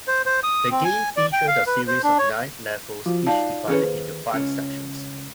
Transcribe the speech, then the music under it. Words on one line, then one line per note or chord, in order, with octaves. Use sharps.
The game featured a series of nine levels, each divided into five sections.
C5
C5
D#6
C4
G#5
D5
G5
F5
B4
C5
D4
C#5
F3 F4 F#4
D#4 D5 F5 A5
E3 C#4 G#4 A4 B4 C#5
D#2 C5
C#2 C#4